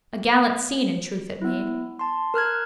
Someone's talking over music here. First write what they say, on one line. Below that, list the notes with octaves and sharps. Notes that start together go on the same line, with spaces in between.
A gallant scene in truth it made.
B3 E4
A5 C6
A#4 F6 F#6 G#6